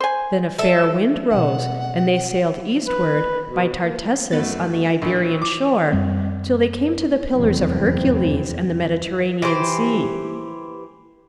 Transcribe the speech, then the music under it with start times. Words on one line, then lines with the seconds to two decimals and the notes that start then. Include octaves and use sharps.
Then a fair wind rose, and they sailed eastward, by Tartessus on the Iberian shore, till they came to the Pillars of Hercules, and the Mediterranean Sea.
0.01 C5 G#5
0.58 A4 E5
1.30 B2 C4 F#5
2.86 B4
3.48 B2
3.84 A#3
4.31 F#2 A3 B3 F#4 A6
5.02 A#1
5.42 D6
5.92 F#2 G3 C4
7.35 F1 E2 G2 E3 F#3 C4
9.42 E3 G4 C5